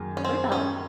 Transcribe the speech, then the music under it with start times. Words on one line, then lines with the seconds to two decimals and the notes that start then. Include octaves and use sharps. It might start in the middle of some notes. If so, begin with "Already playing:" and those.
what about,
Already playing: F#2 D#3 A#3 G#4
0.17 C#4
0.25 C4
0.52 C#4